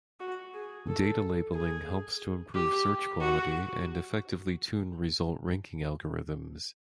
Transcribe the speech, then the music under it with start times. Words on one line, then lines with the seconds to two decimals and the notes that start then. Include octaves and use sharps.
Data labeling helps to improve search quality and effectively tune result ranking algorithms.
0.20 F#4
0.54 G#4
0.88 A4
1.54 G#4
2.55 G4
3.21 F#4